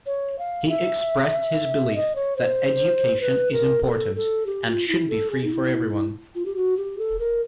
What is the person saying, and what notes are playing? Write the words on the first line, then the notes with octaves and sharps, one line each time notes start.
He expressed his belief that education is important and should be free for everyone.
C#5
F5
E5
D#5
C#5
C5
B4
A#4
A4
A4
G4
F4
E4
A4
G#4
D#4
E4
F4
G4
F#4
G4
A4
A#4